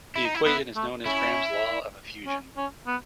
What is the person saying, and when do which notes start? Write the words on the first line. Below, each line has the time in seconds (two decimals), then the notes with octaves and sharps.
This equation is known as Graham's law of effusion.
0.16 E4
0.25 D#4
0.35 E4
0.45 B3 E4
0.76 A3
1.06 C#4 E4
2.27 C#4
2.57 C#4
2.87 B3